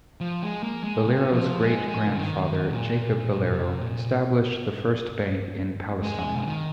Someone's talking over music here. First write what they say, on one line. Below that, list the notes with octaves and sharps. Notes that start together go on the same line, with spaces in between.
Valero's great-grandfather, Jacob Valero, established the first bank in Palestine.
F3
G#3
A#3
G#3
C3
F3
G#3
G#3
C3
D#3
D#3
A#2
A#2
C3
A#2
G#3
C3
D#3